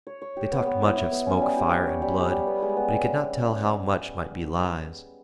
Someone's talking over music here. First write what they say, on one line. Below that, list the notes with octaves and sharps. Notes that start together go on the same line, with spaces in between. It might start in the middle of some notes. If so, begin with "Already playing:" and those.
They talked much of smoke, fire, and blood, but he could not tell how much might be lies.
C#5
C#5
G4
B3
B3
E4
E4
B3
C#4
G3
G4
G4
C#5
G3
G4
G3
B3
G#3
B3